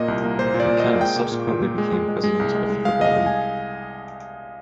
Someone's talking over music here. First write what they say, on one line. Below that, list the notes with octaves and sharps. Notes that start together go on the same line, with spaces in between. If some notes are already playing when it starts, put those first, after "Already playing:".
McKenna subsequently became President of the Football League.
Already playing: A#2 A#3 D#5
C2
A#3
A#2 C5
A#2
D5
A#2
D#5
A#3
G#3 G5
A#2
A#2
A#2
A#2
G#3
G#3
G#3
G#3
C2
G#3
G#3
G#3 F5
C2 D#5
F5
G#3
G#5